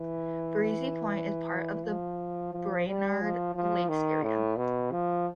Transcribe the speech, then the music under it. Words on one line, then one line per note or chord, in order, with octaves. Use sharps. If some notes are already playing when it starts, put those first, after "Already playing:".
Breezy Point is part of the Brainerd Lakes Area.
Already playing: E3
F3
F3
G3
F3
F3
D#3
A2
B2
F3